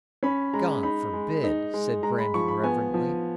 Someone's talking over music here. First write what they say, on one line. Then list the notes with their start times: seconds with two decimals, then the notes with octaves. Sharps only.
"God forbid!" said Brandon reverently.
0.23 C#4 B5
0.53 G#3 A#5
0.83 D#4 B5
1.13 G#3
1.44 D#4
1.74 G#3
2.03 G#3 A#5
2.19 B5
2.34 F3 C#6
2.48 B5
2.64 B3 G#5
2.94 F3